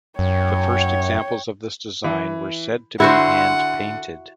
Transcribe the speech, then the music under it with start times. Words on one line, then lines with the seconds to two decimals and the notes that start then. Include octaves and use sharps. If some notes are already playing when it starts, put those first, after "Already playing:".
The first examples of this design were said to be hand-painted.
0.19 F#2 C#5 G5
2.04 E3
3.00 D3 E4 F#4 C5 F#5